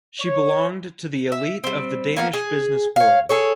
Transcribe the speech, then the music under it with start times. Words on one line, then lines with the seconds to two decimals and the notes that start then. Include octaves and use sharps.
She belonged to the elite of the Danish business world.
0.20 C#5
1.32 E5
1.64 G3 C4
2.16 A#3 B3 F5
2.33 G#4
2.96 C#5 F5
3.29 G#4 A4 C#5